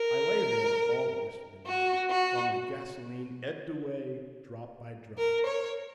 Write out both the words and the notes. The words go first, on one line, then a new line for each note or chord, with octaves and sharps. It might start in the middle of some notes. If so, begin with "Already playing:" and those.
I lay there all the rest of the night, while my gasolene ebbed away drop by drop.
Already playing: A#4
F#4
F#4
A#4
C#5